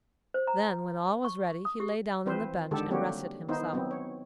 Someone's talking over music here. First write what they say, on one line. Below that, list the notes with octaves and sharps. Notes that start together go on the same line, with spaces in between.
Then, when all was ready, he lay down on the bench and rested himself.
C5
A#5
C#6
D#6
G4
E3 F3 C4 B4 C5
D3 D#3 G#3 G4 A4
G3 A#3 C4 F#4 G4 C#5
D#3 B3 D#4 E4 C5
F#3 B3 C4
C#5